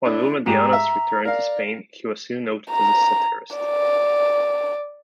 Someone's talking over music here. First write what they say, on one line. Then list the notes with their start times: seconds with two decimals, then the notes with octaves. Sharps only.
On Villmediana's return to Spain, he was soon noted as a satirist.
0.05 D4 E4
0.46 G#2 G4 A#5
0.73 E5
1.25 A#4 D5 F5
2.71 A#5
3.56 D5